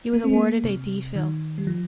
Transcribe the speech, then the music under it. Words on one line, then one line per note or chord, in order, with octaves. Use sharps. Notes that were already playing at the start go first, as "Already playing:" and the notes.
He was awarded a D. Phil.
A#3
C4
A#3
C3
D#3
G3
F3